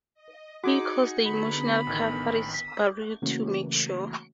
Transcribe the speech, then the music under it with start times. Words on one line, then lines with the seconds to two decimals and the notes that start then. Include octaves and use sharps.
He calls the Emotional Catharsis Bureau to make sure.
0.14 D#5
0.64 D#4 F#4 G#4 F#5 D6 C#7
1.25 D3 B3 B5
1.87 A1 D#3
2.54 D#6 E6 B6
3.22 C#3 E3 A3 A#3 C#4 F#4